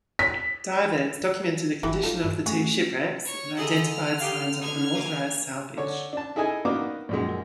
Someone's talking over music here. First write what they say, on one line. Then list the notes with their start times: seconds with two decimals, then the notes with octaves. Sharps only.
Divers documented the condition of the two shipwrecks, and identified signs of unauthorised salvage.
0.19 B6
1.83 G1 E3 E4 G4
2.03 D#4 F4 A4
2.24 G2
2.46 A3 C#4 F#4 G#4
3.25 C#5
3.57 D3 E4 G#4 A4 D#5 A#5
3.90 F6
4.20 D#4 G4 F5
4.61 D#4 F6 G#6
4.94 E3 A#3
5.77 D3 C#5
6.13 D4 A5
6.36 E4 G#4 A4 D#5 G#5
6.65 A#3 B3 D4 D#4 F#4 D6
7.09 A#1 F#2 G#3